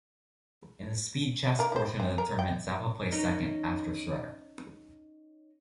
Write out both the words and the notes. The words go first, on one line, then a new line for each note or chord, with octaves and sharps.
In the speed chess portion of the tournament Zappa placed second, after Shredder.
A#3 A#4
E4 C5
C4
A#4
G5
C#4 D#4 A#4